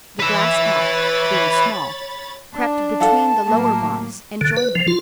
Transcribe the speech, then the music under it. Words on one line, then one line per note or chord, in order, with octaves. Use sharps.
The Glass Cat, being small, crept between the lower bars and joined them.
B4 C#5 E5 B5 A6
D4
A4 F5 F#5 A5
A2 F#3 A#3
D3
B4
F3
F4